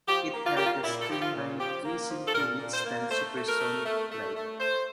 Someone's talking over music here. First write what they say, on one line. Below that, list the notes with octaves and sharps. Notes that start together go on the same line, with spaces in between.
It had a streamlined casing to withstand supersonic flight.
F3 G4
A#3
F4
A#3 G4
F4
A#2 E4
A4
F3 G4
F4
A#2
F3 G4
A#3
F3
A4
A#2 A#4
A#2
C5
A#3
A3 C5
A3
A#4
A3
A3
A3
A3
A3 C5